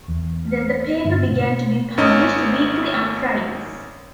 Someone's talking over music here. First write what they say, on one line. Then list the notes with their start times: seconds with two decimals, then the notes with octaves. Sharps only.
Then the paper began to be published weekly on Fridays.
0.08 E2
1.05 G2 D3 B3
1.32 B2
1.97 G#1 D#3 C#4 D#5